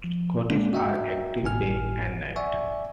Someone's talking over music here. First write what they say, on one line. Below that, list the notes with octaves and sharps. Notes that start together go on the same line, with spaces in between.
Coatis are active day and night.
F3
G#3 A#3 C#4 D4 F4
F#4 D#5 E5 F#5 G5 A#5
G#1 A2 E4 G#5 F6
D5 E5 F#5 G#5 C#6